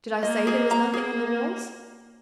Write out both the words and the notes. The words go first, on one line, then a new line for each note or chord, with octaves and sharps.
Did I say there was nothing on the walls?
A#3 D#5
G#4
A#5
A#3 G#4